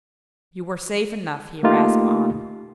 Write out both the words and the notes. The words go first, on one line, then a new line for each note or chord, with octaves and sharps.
"You were safe enough," he rasped on.
A3 A#3 D#4 F4 G4